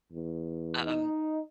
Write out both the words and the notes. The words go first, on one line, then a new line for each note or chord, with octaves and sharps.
Uh um,
E2
D#4